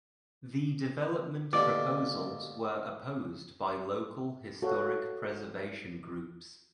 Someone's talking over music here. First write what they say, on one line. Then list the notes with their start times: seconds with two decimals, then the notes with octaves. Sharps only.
The development proposals were opposed by local historic preservation groups.
1.53 D#2 B2 D3 D5
4.62 F#4 A4 C#5 F5